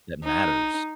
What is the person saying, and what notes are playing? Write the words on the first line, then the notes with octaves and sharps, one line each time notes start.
that matters.
D#4